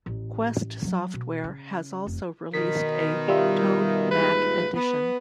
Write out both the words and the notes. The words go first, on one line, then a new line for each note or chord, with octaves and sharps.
Quest Software has also released a Toad Mac Edition.
A1
F#3
B2
C#3
F1
B2 D#3 B6
G3 F4 E5
D#2 G#2 B4
B3